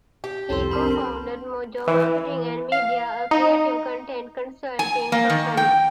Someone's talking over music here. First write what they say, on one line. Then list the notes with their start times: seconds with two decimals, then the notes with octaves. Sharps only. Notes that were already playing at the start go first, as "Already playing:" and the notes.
He co-founded MoJo Marketing and Media, a creative content consulting company.
0.24 G4
0.50 C2 F2 A4 C5 A5 C6
0.71 C4 D4 A#4 B5
1.87 E3
2.72 F5
3.31 D#4
4.79 G#5
5.12 A#3
5.30 D#3
5.57 G5